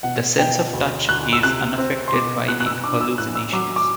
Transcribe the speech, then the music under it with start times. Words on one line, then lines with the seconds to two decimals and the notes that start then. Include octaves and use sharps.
The sense of touch is unaffected by the hallucinations.
0.03 B2 F#5
0.39 B2 G5
0.73 D2
1.09 D2 F#6
1.33 E6
1.43 C3 F#6
1.78 C4
2.08 C6
2.13 B2 D6
2.48 B2 F#6
2.60 F#6
2.66 E6
2.84 D4 D6
3.01 E6
3.18 A2 F#6
3.35 E6
3.53 F#3 D6
3.76 D6